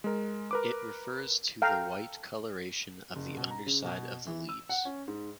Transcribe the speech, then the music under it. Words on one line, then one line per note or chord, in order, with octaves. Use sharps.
It refers to the white colouration of the underside of the leaves.
G#3 A#4
A#4 B4 D6
A4 F5 G5 A#5
F#1
B2
A#5
C#3
B2
E3
E6
F#5
C#4
G#2